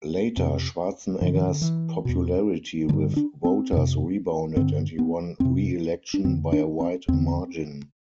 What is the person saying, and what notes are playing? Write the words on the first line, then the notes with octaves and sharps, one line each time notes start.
Later, Schwarzenegger's popularity with voters rebounded and he won reelection by a wide margin.
F2 C3
G2 D3 F3
E3
D3
E3
E2 B2
G2 D3 G3
D4
C4
F2 C3
G2 D3 C4
B3
F2 C3 C4
D4
F2 D3 C4
D4
C4
E2 D3 C4